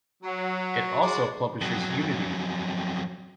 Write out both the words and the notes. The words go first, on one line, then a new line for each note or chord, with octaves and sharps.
It also publishes Unity!
F#3
G#3 F#4 D5
F2 F#3